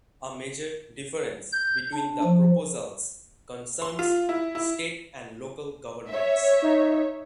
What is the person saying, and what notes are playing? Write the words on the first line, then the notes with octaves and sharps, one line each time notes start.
A major difference between the proposals concerns state and local governments.
G6
D4
F3
C6
F4
E4
E4
C#5 E5
D#4